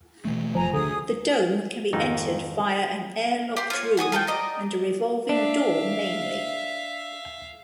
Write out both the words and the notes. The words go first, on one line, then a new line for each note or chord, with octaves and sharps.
The dome can be entered via an air-locked room and a revolving door mainly.
B2 E3 A3
F1 F2 F3 G#5 A#5
D2 D3 G#4 D#6
G#1 F2 D#4
G4 C6
F4 C#5
F#5 G#5 C#6 D#6
F4 A4 F#5 G5
D5 D#5 A#5
D4 E5 F5